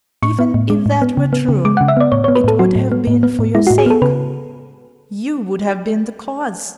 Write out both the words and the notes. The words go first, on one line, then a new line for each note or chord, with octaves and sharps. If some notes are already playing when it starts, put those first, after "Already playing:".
"Even if that were true, it would have been for your sake... you would have been the cause."
A2 C#6
B3
A2
G#3
A2
B3
C#3
B3
C#3
G#3 D6
F#5
C#3
E5
B3 D5
A2 C#5
C#5
B3
B4
A2 A4
F#3 F#4
A2
B3
A2
B3
A2
G#3 E4
F#4
A2
G#4
B3 A4
C#3 B4